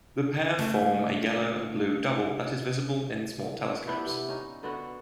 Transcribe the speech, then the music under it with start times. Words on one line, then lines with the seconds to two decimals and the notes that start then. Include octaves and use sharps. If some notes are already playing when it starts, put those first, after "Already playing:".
The pair form a yellow and blue double that is visible in small telescopes.
0.58 C#3 A3 A#3
3.87 B3 D4 E4 G4
4.06 C3 B3
4.29 C#4 D#4
4.63 D3 B3 F#4